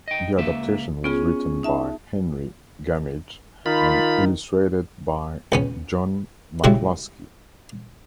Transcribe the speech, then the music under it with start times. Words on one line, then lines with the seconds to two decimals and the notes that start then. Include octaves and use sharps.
The adaptation was written by Henry Gammidge and illustrated by John McLusky.
0.08 D#5 G5
0.37 C#2 A#3 E5
1.04 B3 C#4 F4 G#4
1.63 D#4 E5 A5
3.66 D#3 F4 B5
5.52 C#2 B3 C#4
6.64 C#3 G3 G#3 E4 F#4